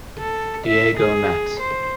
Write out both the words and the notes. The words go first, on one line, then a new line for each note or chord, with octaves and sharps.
Diego Mat.
A4
E5
G#4
C5